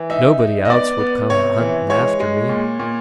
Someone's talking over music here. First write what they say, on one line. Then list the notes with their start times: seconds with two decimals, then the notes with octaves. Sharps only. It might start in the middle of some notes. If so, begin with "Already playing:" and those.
Nobody else would come a-hunting after me.
Already playing: E3
0.10 D#4 E5
0.40 D#4
0.65 D#5
0.70 B3 D5
1.00 B3
1.30 C3 C#5
1.60 E3
1.90 G#3 C#5
2.20 G#3
2.49 A#2
2.80 A#2